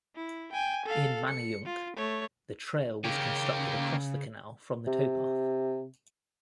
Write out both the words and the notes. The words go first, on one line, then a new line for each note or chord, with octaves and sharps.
In Manayunk, the Trail was constructed across the canal from the towpath.
E4
G5 G#5
A4 F5
C#7
F4
A3 C#5
C#3 A#3 G4
C3